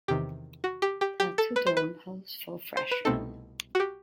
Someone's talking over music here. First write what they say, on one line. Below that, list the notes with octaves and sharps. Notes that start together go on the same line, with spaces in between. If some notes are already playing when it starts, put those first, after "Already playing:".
There are two dorm halls for freshmen.
E2 C3 D#3 G4
F#4
G4
G4
G4
A4
B4
C5
B4
C5
B4
C2 B2 A3 C4 D#4 A4
F#4
G4